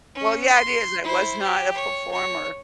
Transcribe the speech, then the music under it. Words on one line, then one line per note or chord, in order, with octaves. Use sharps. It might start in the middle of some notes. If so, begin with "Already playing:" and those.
Well, yeah, it is, I was not a performer.
C#4
C6
E4 C5
G4
C#5
C#5